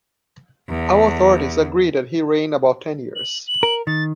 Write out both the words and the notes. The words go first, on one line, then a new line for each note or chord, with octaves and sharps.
All authorities agree that he reigned about ten years.
E2
F#7
F#7
A#4
D#3 A6